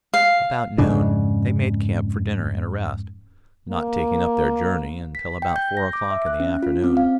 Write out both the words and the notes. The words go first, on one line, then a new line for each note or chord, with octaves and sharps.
About noon they made camp for dinner and a rest, not taking up their journey until about four o'clock in the afternoon.
F5
F2 G#2 C#3 D4
A#3
B6
G5
G6
A#6
D6
E5
F#6
C#4
F4
C4
F5